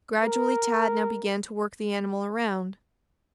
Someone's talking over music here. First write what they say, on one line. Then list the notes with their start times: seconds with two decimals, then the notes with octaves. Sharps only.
Gradually Tad now began to work the animal around.
0.24 A#4